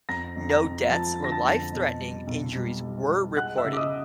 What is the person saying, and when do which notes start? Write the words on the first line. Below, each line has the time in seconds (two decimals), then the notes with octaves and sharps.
No deaths or life-threatening injuries were reported.
0.09 F2 A#5 A#6
0.37 F2
0.50 A#5 A#6
0.63 F2
0.91 F3 A5 A6
1.19 D3
1.24 A#6
1.32 A5 A6
1.45 F2
1.72 B2
1.99 G3
2.27 B1
2.55 G3
2.83 G3
3.09 G3
3.37 G#3 F#5 F#6
3.57 E5 E6
3.64 C#3
3.73 D6
3.77 D#5 D#6